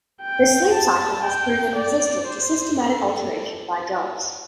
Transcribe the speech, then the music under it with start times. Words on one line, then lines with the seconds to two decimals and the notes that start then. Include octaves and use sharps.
The sleep cycle has proven resistant to systematic alteration by drugs.
0.22 G5
0.73 A5
1.24 G5
1.76 D5
2.28 C5
2.78 A4